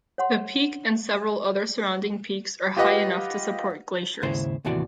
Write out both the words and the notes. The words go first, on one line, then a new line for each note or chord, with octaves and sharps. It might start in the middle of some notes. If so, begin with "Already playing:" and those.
The peak and several other surrounding peaks are high enough to support glaciers.
C#5 F#5 C6
F4 G4 B4 D#5 F#5
D#2 G#2 C#3 E4 C5
D#2 A2 C3 E3 F#4 D5